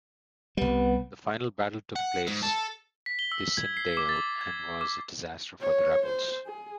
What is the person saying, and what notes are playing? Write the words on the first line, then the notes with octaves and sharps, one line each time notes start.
The final battle took place at "Dussindale", and was a disaster for the rebels.
C2 G3 B3
F#5
G#2
A4
B6
G7
E6
G#6
C7
D6
A6
G#6
D6
C#5
C5
G#4